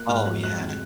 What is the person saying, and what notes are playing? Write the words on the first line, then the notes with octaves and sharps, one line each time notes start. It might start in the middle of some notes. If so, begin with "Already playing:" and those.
Oh, yeah.
Already playing: A#3 F#6
G#2 F6
F#3 F#6
G#3 F#6
F2